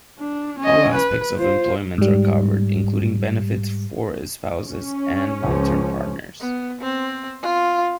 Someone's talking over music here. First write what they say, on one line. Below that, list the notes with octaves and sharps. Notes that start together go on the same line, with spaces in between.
All aspects of employment are covered, including benefits for spouses and long-term partners.
D4
C#4 D#5
B4
F4 C5
G#2 G3
C#4
C#2 F3
B3
C4
F4